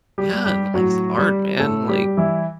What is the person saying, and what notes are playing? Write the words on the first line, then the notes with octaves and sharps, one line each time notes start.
Yeah, and life's hard, man, like,
G3 G4
G3
G3 G4
A2 F#3 F#4
G3 G4
A2 A3 A4
G3 G4
G3
E3 E4